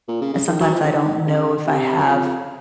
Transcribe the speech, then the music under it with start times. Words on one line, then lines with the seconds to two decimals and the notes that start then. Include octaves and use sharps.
sometimes I don't know if I have
0.08 A#2
0.21 C#3
0.34 C#3
0.48 D#3
0.61 F#3
0.73 F3
0.83 C#3
0.87 D#3
1.27 C#3
1.66 C3
1.98 F#2
2.06 F2